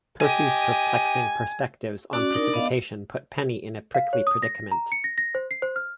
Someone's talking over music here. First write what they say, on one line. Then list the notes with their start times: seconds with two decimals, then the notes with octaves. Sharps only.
Percy's perplexing perspectives on precipitation put Penny in a prickly predicament.
0.20 G4 D#5 G#5
2.13 C#4 F#4 D5
2.33 D4 D#4 A#4
2.53 B3 D#5 F5
3.95 F5
4.13 C#5
4.27 D#6
4.43 A#6
4.71 A#5
4.92 C#7
5.04 A#6
5.18 A#6
5.35 C5
5.51 C7
5.62 C5
5.76 F6